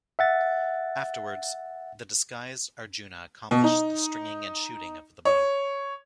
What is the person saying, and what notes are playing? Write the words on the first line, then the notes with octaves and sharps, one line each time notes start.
Afterwards, the disguised Arjuna accomplished the stringing and shooting of the bow.
E5 F#5 A6
B2
D#4
C#5